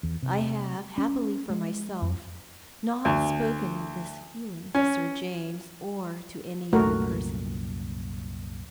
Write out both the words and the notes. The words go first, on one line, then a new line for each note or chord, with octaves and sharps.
I have, happily for myself, not spoken of this feeling to Sir James or to any other person.
E2
C3
C#4
G#3
F2
D2
C#4
C2 F#2 A#2 A3 F#4 A#4